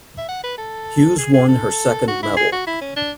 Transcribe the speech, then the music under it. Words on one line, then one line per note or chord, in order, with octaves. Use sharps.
Hughes won her second medal.
E5
F#5
B4
A4
G#4
G#4
A4
F#4
E4
G#4
F#4
E4
C#4
D4